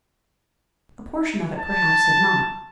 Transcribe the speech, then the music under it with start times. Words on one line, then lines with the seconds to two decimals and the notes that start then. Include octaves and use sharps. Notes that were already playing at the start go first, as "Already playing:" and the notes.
A portion of it perhaps had not.
1.58 A5